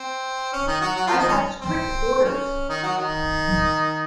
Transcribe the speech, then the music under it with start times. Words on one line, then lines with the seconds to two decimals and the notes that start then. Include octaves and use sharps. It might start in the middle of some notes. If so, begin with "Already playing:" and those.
I have strict orders.
Already playing: C4
0.53 C#4
0.67 D#3 D#4
0.81 F#3 F#4
0.95 F#3 F#4
1.06 F3 F4
1.18 D#3 D#4
1.28 C#4
1.61 C4
2.25 C#4
2.69 D#3 D#4
2.83 F#3 F#4
2.97 D#3 D#4